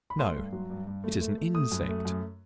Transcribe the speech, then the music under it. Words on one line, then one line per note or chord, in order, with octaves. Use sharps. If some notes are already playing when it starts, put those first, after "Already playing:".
No, it is an insect.
B5
A3 C6
G2
F#3
G2
G2
A3
A3
A3
A3 D#6
F#2
A3
F#2